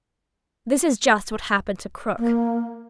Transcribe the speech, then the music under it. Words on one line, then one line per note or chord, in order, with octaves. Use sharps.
This is just what happened to Krook.
A#3